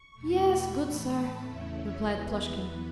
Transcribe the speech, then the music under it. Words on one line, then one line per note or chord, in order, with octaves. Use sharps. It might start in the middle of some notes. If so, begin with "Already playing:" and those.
"Yes, good sir," replied Plushkin.
Already playing: C#6
E2 B2 A3
B5
A2 E3 A3 B5
A5
E2 C#3 A3 C#4 E4 E5
C#5
E2 E3 B3 E4 B4